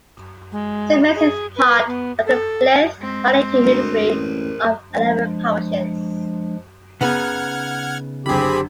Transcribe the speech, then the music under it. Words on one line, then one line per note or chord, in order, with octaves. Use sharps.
Saint Mary's is part of the Blyth Valley Team Ministry of eleven parishes.
G#3
G#4
B4
B3
A4
G#3 C4
D2 A#4 C5
A1
F3 G#3 D4
C#3 B3 D#4 F#5 F6 G#6
F#1 D3 C4 G4 G#4 B5